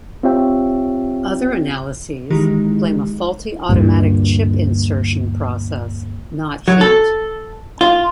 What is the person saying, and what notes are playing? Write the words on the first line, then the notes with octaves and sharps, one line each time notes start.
Other analyses blame a faulty automatic chip insertion process, not heat.
C4 F4 G4 C#5 E5 G5
D#3 E3 G#3 D#4 E4 G4
D2 G2 A#2
F#3
A4
F4